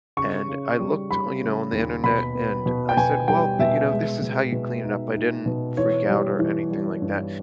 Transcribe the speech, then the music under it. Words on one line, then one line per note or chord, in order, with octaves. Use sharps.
and I looked on you know, on the Internet, and I said, "Well, the" you know, "this is how you clean it up." I didn't freak out or anything like that,
C#3 C#6
C#3
G3
G3 B5
C#3
D#2
B2 B5
B3
B2
G5
B2 G#5
G3 G5
B2 E5
G#3
B2
B2
D#4
D#4
B2
E3 C#5
G3
E3
G3
G2